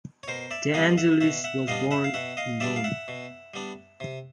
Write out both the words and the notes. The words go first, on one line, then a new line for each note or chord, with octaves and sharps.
De Angelis was born in Rome.
C#5
B2 A#4 C5
D5 E5
G3 B3 D4 D#5 F5
E5 F#5
B2 E5 F#5
E5 F#5
G3 B3 D4 D#5 F5
E5 F#5
F5
B2 E5 F#5
D#5 F5
G3 B3 D4 D5 E5
F5
E5 F#5
B2
G3 B3 D4
C3